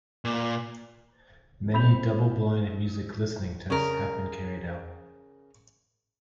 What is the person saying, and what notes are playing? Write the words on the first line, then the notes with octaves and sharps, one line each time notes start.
Many double-blind music listening tests have been carried out.
A#2
C4 B5 G6 F7
C#3 A#4